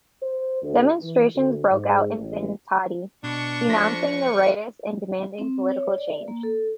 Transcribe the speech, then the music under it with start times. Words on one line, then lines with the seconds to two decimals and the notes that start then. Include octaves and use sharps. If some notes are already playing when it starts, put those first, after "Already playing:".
Demonstrations broke out in Vientiane, denouncing the rightists and demanding political change.
0.22 C5
0.62 D2
1.00 E3
1.34 D2
1.70 G#2
2.17 A1
3.24 B2 D4 C#6
3.69 F3 A4 C5 C#6 A#6 B6
5.38 C4
5.69 C#5
5.98 D5
6.28 A#3
6.43 A4